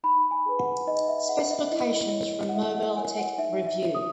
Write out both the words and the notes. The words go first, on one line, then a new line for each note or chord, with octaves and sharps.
Specifications from Mobile Tech Review.
D#4 B5
G#5
G#4 B4
F#5
D#4 D#5
E5
G#4 B4 F#5
E5
E4 D#5
D#5
A#4 C#5
F#5
E4 E5
F#5
A#4 C#5 G#5
F#5
D#4 E5
E5
F#4 C#5
D#6